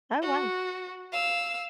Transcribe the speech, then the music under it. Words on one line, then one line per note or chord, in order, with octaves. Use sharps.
Oh, wow.
F#4
F5 E6